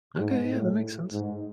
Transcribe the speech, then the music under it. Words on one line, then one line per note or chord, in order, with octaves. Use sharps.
Okay, yeah that makes sense.
G#2
A2
G#2